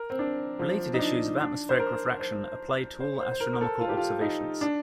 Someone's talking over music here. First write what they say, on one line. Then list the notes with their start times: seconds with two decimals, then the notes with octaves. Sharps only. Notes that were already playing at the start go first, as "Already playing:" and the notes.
Related issues of atmospheric refraction applied to all astronomical observations.
Already playing: A#4
0.10 C4
0.19 D4
0.59 F3
0.94 D#4
0.99 D4
1.40 D4
1.69 C5
1.80 A#4
2.19 C5
3.00 C5
3.21 C5
3.31 C5
3.40 A#4
3.53 A#4
3.61 A4
3.81 F4
3.89 G4
3.97 F4
4.21 D#4
4.61 D4